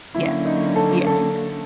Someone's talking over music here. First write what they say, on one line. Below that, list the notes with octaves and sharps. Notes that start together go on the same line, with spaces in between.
Yes. Yes.
D3 F#3 A#3 C#4 E4
D#4
A4
A4